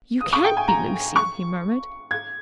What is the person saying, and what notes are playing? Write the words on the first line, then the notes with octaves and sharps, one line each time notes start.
"You can't be Lucy!" he murmured.
D#6
C#6
G5
G#5
A#5
C#6
G#6